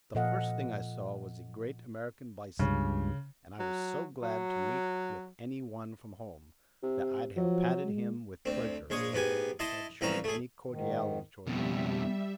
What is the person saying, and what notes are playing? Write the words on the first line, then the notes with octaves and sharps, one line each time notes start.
The first thing I saw was a great American bison; and I was so glad to meet with any one from home, that I'd have patted him with pleasure if he had shown any cordiality toward me.
A#2 F3 A4 D#5 F5 F#5
C#2 G2 C#3
F#3
F#3
C3
F3 F#3
G#3
D2 C4
A#1 G#3 C#5 D#6
G#2 B3 G4 G#5
E4 D#5 A5 C6
C2 E3 F3 C4 C#4 A#5
A3 G#4
G#2 D#3
F2 B2 G3 E5